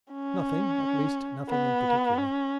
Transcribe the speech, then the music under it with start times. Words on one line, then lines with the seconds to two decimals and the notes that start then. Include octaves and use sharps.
'Nothing, at least nothing in particular.
0.12 C#4
1.49 B3
2.18 C#4